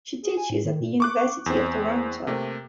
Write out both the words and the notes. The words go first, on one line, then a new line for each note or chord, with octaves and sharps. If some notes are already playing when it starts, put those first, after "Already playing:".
She teaches at the University of Toronto.
G#4
G#5
A2
D#3
A#2
C#6 D6 F#6
E2 C4
C3 A3 A#3